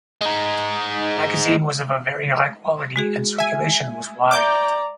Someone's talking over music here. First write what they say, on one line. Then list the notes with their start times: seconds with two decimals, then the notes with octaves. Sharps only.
The magazine was of a very high quality and circulation was wide.
0.21 G#3 D#4
2.96 G#3 F#4 G#4
3.38 E5 G#5
4.31 D5 E5 A#5 D6 G6